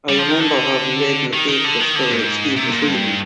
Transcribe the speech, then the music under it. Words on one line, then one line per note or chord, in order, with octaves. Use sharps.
I remember having read in the paper the story that Steve was leaving.
G3
F3
D#3
D3
D#3
D#3
D3
D#3
D3
G#2
C3
A#2
G2